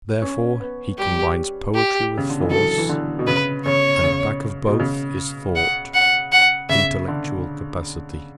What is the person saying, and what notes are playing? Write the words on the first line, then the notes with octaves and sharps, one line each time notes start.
Therefore he combines poetry with force; and back of both is thought--intellectual capacity.
C#4
B3
G3 G4
G4
C#3
D3
E3
F#3 A4
E3
D3
B2
C#3 B4
C#3 C#5
C#3
B2
C#3
F#5
F#5
F#5
C#3 E5
D3